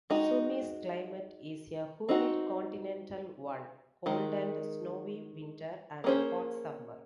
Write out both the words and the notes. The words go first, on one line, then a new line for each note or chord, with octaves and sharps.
Sumy's climate is a humid continental one: cold and snowy winters, and hot summers.
G#3 D#4 F#4
C4 D#4 F#4
D#3 G#3
A#3 C#4 G#4 C5